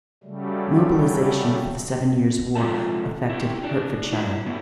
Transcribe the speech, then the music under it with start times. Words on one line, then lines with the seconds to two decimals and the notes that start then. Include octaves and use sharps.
Mobilisation for the Seven Years' War affected Hertfordshire.
0.24 C#3 F#3 G3 A3
2.55 G#2 C3 F3 A3 A5
3.29 E4 G4
3.63 D#4 D5
4.12 D4 E4
4.45 D3 B3 D4 E4